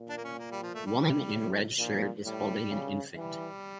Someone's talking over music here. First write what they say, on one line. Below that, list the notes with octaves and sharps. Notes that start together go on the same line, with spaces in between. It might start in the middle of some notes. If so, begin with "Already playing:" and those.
Woman in red shirt is holding an infant.
Already playing: A#2
D4
A#3
C#4
A#3
G3
F3
A3
G3
A2
A#2 F3
A2 G3
C#3
E3 G3